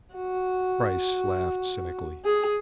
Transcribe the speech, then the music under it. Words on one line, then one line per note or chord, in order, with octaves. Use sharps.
Bryce laughed cynically.
F#4
G#4